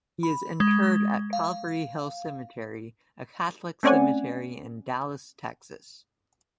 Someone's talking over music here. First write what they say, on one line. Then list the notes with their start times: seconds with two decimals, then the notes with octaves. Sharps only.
He is interred at Calvary Hill Cemetery, a Catholic cemetery in Dallas, Texas.
0.23 B5
0.60 G#3
1.33 F5
3.83 A3 C4 C#4 D5 F#5 G#5